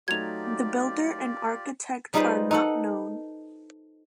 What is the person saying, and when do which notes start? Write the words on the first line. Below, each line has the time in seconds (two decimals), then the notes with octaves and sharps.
The builder and architect are not known.
0.08 F#3 A3 D#4 F4 G4 D5 G#6 F7
2.14 G3 D#4 F4 G#4 B4 C5
2.51 D#4 A4 F#5